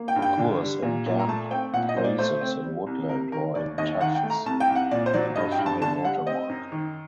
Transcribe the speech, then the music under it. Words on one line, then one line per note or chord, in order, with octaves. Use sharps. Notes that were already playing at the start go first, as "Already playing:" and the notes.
Occurs in damp places in woodland or in tufts above high water mark.
Already playing: A#3
G5
G2
G5
D3
G3
A#2
A#2
A#5
A3 A5
C4 G5
A#2 F#5
D#5
A#2 C5
D5
A3 C5
C4
G3
C2
C3 A#4
D#3 A#4
D#2 D5
D#2 D#5
D#3 F#5
G5
A3
A#5
C2 A5
G5
C2
F#5
A#2 D5
C5
F#3 D5
G2 D#5
G5
G2
A5
D3 A5
G3 F#5
C4 D#5
F#2
D#3